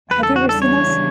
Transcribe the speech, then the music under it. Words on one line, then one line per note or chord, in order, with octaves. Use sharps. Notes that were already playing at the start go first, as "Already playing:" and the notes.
Have you ever seen those?
E2 C#3 G3 D4 B4
A4
F#4
A4
C#5